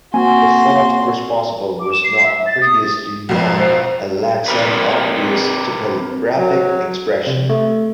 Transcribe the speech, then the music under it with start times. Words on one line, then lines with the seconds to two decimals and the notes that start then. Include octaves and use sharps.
The fault responsible was not previously known and lacks any obvious topographic expression.
0.14 A#3 C4 F#4 G#5 C6
1.80 D6
1.92 E7
2.04 C7
2.24 E5
2.46 A6
2.62 D#6
3.29 B1 F2 C3 G#3 A#3
3.58 C5 F5 A#5
4.48 C4 G4 A#4 B4
6.38 F#3
7.27 C3
7.50 A3